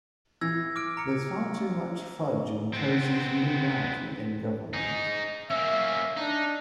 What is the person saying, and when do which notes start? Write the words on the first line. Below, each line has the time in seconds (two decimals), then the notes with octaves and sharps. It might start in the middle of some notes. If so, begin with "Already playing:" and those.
There's far too much fudge and cosy familiarity in government.
0.41 E3 E6 G#6 A#6
0.76 D6 F6 D7
0.97 A#5 C#7
2.73 B3 C4
4.74 D#4 G#4
5.50 A#3 C#4 E5
6.17 D4 D#4